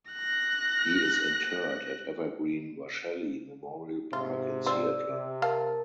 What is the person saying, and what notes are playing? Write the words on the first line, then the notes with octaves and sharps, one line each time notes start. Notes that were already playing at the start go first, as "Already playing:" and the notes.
He is interred at Evergreen Washelli Memorial Park in Seattle.
F#6 A#6
G#2 C3 F4
C4 F4 D5 E6
C3
A#4 F5 A5